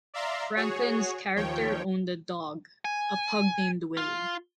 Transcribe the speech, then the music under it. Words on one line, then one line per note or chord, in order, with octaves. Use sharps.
Franklin's character owned a dog, a pug named Willy.
D5 E5 F5 A#5 C6
F#4 G#4 C#5
D#2 F3 C#5 G5
G#5
F4